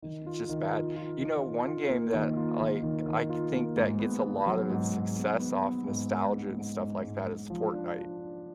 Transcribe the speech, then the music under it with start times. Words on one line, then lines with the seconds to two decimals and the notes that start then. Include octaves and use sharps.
It's it's, just, bad. You know, one game that, Iike I think that gets a lot of its success off nostalgia and stuff like that is Fortnite,
0.02 D#3
0.26 F4
0.49 D#3
0.73 F4
0.96 F4
1.20 D#3
1.43 F4
1.66 F4
1.89 A#3
2.13 D#3
2.36 F4
2.60 D#3
2.83 D#3
3.06 D#3
3.29 F4
3.53 A#3
3.76 G#2
4.00 B3
4.23 B3
4.46 F#3
4.70 G#2
4.93 G#2
5.16 B3
5.40 B3
5.63 B3
5.87 G#2
6.10 G#2
6.33 G#2
6.57 G#2
6.80 G#2
7.03 G#2
7.27 G#2
7.50 F3
7.73 D4
7.97 D4